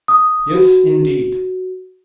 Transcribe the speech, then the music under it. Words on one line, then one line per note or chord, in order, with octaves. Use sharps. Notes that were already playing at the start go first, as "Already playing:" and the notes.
Yes, indeed.
D#6
F#4